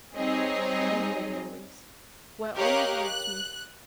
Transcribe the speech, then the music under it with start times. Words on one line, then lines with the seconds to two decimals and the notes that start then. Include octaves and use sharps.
Leave me, Maurice, where honor holds me.
0.16 G3 C4 D#4 G#4 C#5 D#5
2.55 G4 A#4 C#5 D#5 F5 F#6
3.05 F#6